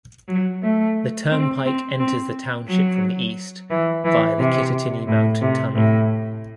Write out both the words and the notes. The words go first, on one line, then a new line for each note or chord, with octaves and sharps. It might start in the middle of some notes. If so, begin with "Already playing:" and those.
The turnpike enters the township from the east via the Kittatinny Mountain Tunnel.
F#3
A3
C4
C4
C4
F#3
E3
E3
C3
A2
C3
A2